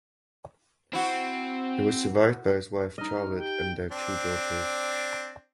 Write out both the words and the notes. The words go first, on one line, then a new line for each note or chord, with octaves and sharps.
He was survived by his wife Charlotte and their two daughters.
C4 E4 F#4
D#4 D#5 F6
G4 G5
C4 D4